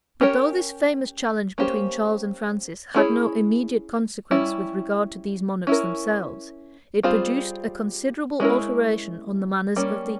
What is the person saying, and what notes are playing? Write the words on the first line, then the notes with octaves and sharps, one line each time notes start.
But though this famous challenge between Charles and Francis had no immediate consequence with regard to these monarchs themselves, it produced a considerable alteration on the manners of the age.
C#4 G4 A#4 C#5
A#3 C#4 G4 C5
C#4 E4 G#4 C#5
G3 C#4 E4
C#4 E4 A#4
G3 C4 F4 G#4 C5
G#3 C#4 E4 A#4
G3 A#3 C#4